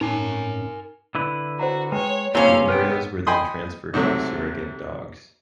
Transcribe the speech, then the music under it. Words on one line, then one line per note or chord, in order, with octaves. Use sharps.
The embryos were then transferred to the surrogate dogs.
A2 C#4 D#4 A#4 G#5
D3 E4 B4
F#4 C5 F#5 A#5
G#3 B4 C#5 G5
C3 A3 A#3 C#4 E4 C#5 F5
B3 A#4 B4 F#5 G5
D#5 G5 G#5 B5 C6 D#6
G#2 C3 F#3 A3